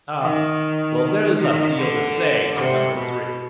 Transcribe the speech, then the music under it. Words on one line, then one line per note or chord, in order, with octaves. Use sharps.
Ah, well, there's a deal to say to number three.
D#3
D#3
D3
C3
B2